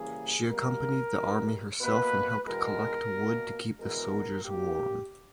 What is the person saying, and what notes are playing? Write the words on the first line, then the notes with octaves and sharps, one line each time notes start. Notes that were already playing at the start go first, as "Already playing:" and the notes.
She accompanied the army herself and helped collect wood to keep the soldiers warm.
Already playing: C#3 E3 G3 A#3 G#4
B2 G3 A#3 A#4
E2 B2 G3
B2 A#3 B4
E2 B2 G#3 B3 A#4
B2 A#3
E2 B2 G#3 B3 A#4
G2 G3 A#3 G4